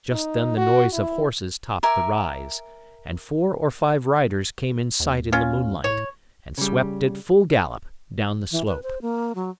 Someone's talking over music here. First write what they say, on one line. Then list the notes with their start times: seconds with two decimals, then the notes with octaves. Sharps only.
Just then the noise of horses topped the rise, and four or five riders came in sight in the moonlight and swept at full gallop down the slope.
0.11 D#4
0.57 F#4
0.93 E4
1.83 A#4 E5 G#5 D6
5.00 D#2
5.32 C#4 F4
5.84 A2 C#5
6.58 C#3 G3
8.52 E3
8.68 B4
8.83 C5
9.02 A#3
9.35 F#3